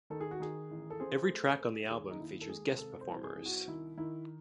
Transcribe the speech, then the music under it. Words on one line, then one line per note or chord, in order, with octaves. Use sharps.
Every track on the album features guest performers.
D#3 A4
G#4
F#4
D#3 G#4
A1
A4
C4 G#4
A3
A3
D#2 G#4
D#4
D#2 E4
A4
G#3 G#4
C3 A4
C5
C2
G#4
C2
F#4
D#3 E4
D#3 E4